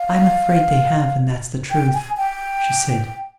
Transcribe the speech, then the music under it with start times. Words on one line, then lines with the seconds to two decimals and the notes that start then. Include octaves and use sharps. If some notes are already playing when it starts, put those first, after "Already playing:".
'I am afraid they have, and that's the truth,' she said.
Already playing: F5
1.71 G5
1.94 G#5
2.17 G5